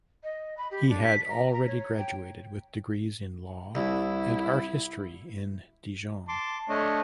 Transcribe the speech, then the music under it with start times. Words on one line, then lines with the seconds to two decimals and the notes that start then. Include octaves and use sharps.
He had already graduated with degrees in law and art history in Dijon.
0.24 D#5
0.57 B5
0.71 G4
0.89 D4
1.03 B6
1.29 A#5
1.53 A#5
1.67 C#5
1.98 G5
3.75 C2 E4
6.28 A5 C6 D6
6.69 A3 D4 C#5 D#5